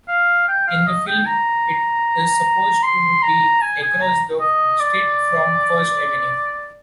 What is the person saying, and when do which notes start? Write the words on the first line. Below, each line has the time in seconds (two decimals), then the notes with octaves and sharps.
In the film, it is supposed to be across the street from First Avenue.
0.08 F5
0.48 G5
0.68 F5
0.87 D#5
1.07 G5
1.26 A#5
2.83 C6
3.23 A#5
3.62 G#5
3.82 G#5
4.02 A#5
4.40 D#5
4.80 D5